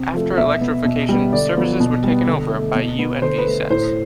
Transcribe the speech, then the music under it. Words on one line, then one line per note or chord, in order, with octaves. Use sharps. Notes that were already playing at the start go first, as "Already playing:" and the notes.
After electrification, services were taken over by U and V sets.
Already playing: C3
F3 A3
B2 E5
B3
B2
G3 B3
D3 D5
F3 B3
B2
G3 B3
D3
A3
B2
B3
D3 C5
B4
A3
A2 C5